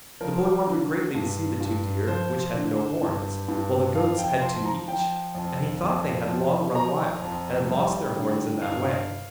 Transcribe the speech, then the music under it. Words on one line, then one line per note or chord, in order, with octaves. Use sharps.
The boy wondered greatly to see the two deer which had no horns, while the goats had two each; and he thought they had long run wild, and had lost their horns in that way.
F3 A#4
D3
G2
G2
F3 C5
D3
G2
G2
F2 F5
G5
F3 C6
A#5
F3 G5
F2
F2
F3
F3 A#5
F2
G3
D3
G2 F5